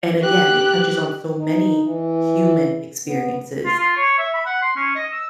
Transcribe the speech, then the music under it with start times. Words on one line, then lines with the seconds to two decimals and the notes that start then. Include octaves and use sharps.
And, again, it touches on so many human experiences
0.21 G4 F#6
1.39 D#4
1.87 E3
3.08 B3
3.66 F4
3.79 F4
3.97 C#5
4.18 E5
4.34 B5
4.46 F#5
4.62 C6
4.77 C#4
4.96 D#5
5.12 E6